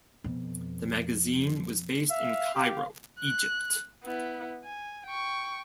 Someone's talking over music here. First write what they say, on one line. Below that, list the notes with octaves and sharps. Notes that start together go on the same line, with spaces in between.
The magazine was based in Cairo, Egypt.
F2 B2
E5 F5
G4
F#6
B3 E4
G#5
G5 C#6